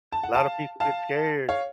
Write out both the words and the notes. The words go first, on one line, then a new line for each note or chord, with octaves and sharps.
Lotta people get scared
A5
F#5
F5 A5
F5 A5
C#5 F5